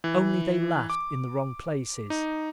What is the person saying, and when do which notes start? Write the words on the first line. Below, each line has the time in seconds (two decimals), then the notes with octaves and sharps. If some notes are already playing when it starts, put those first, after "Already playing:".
Only they laughed in the wrong places.
0.04 E3
0.90 D6
2.10 D#4